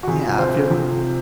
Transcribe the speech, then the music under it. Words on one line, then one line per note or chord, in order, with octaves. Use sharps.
Yeah, if you're
F#4
C3 F3 G#4
C5
C3 F3